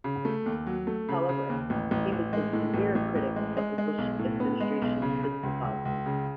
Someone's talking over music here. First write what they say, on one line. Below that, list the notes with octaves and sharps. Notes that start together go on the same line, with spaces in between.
However, he was a severe critic of the Bush Administration's fiscal policy.
C#3
A3
D#2
F#3
A3
C#3
C#3
D#2
A1
A1
A1
G#3
A2
A1
A1
A1
G#3
G#3
G#3
B1
A2
B3
G#3
B1
C#3
C#3
C#2
C#2
C#2
C#3